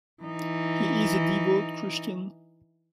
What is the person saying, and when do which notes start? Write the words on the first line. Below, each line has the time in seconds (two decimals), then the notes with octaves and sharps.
He is a devout Christian.
0.23 E3 D#4